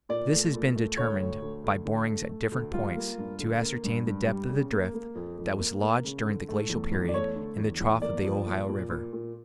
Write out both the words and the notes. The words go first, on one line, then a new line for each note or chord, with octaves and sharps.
This has been determined by borings at different points to ascertain the depth of the drift that was lodged during the glacial period in the trough of the Ohio River.
A#2 D5
A3
A#2
A3
D2 C#5
D2
D2
D2
D3
A3
A3
D2
G3 F4
A#3
G2
D3
A#3
G2
G2
G3
C#3
A#3
A#3
F2
F2
A#3
A#3
C#3
D3
A3
E2
E2
D5
A3 C#5
D3
E2
E2
A#3 D5
F3
A#2
A#2
A#2
A#2